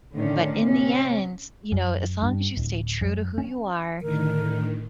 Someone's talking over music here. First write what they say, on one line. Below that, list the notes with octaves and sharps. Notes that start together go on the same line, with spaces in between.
but in the end, you know, as long as you stay true to who you are
A2 D3 D#3 C#4
C3 C#4
F#2
G2
D1
F#2
C#4
A2 D3 D#3 A#4